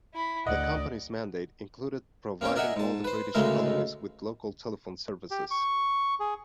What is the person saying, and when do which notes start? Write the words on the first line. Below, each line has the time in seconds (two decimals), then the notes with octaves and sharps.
The company's mandate included providing all the British colonies with local telephone services.
0.14 E4 B5
0.47 D2 D5 D#5 F#5
2.41 A#3 C4 C#4 G5
2.55 D4 A#4 D#5 E5 F#5 G#5
2.76 G#2 A5
3.04 B4 C5
3.34 D2 C#3 G#3 A3 A4 A#4
5.31 G4
5.51 C#6
6.20 G#4